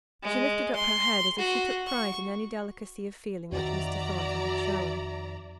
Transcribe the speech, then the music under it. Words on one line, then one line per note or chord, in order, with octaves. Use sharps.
She lifted up her head, as if she took pride in any delicacy of feeling which Mr. Thornton had shown.
G#3
C6
F#4
C#6
F2 D#3 F#4 D5 E5 A#5